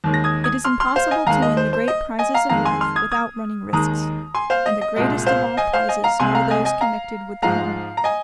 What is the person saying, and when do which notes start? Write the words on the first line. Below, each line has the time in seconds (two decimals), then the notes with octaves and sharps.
It is impossible to win the great prizes of life without running risks, and the greatest of all prizes are those connected with the home.
0.04 D#2 D#3 G#3
0.14 A#6
0.24 D#6 G#6
0.44 D#6 G#6
0.65 C6 F6
0.80 C6 F6
0.96 C5 F5
1.11 D#5 G#5
1.26 D#2 D#3 G#3 F5 A#5
1.42 D#5
1.57 C5
1.73 C5
1.88 D#5
2.19 D#5 G#5
2.34 F5 A#5
2.49 F2 D#3 G#3 F5 A#5
2.65 G#5 C6
2.81 C6 F6
2.96 D#6 G#6
3.12 D#6 G#6
3.73 D#2 D#3 G#3 A#5 D#6
4.35 G#5 C6
4.50 C5 F5
4.66 D#5
4.81 D#5
4.96 C2 A#2 G#3 D#5
5.27 C5 F5
5.57 D#5 G#5
5.73 C5 F5
5.89 D#5 G#5
6.04 F5 A#5
6.20 C2 C3 G#3 G#5 C6
6.35 F5 A#5
6.50 D#5 G#5
6.65 D#5 G#5
6.81 F5 A#5
7.42 G#2 F3 G#3 F5 A#5
7.97 A#5
8.04 D#5 G#5